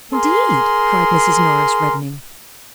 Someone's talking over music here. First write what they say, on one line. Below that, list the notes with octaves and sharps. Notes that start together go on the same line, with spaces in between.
"Indeed!" cried Mrs. Norris, reddening.
G#4 A#4 C6